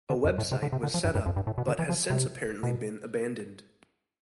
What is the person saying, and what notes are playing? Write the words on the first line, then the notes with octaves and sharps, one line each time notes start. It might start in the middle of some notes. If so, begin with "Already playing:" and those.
A website was set up but has since apparently been abandoned.
D3
F2
A2
C3
D3
C3
D3
F3
G2
G2
F2
G2
A2
B2
D3
E3
F3
C3
B2